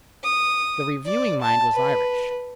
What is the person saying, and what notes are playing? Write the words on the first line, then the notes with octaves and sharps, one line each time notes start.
The reviewing mind was Irish.
D#6
D5
A5
B4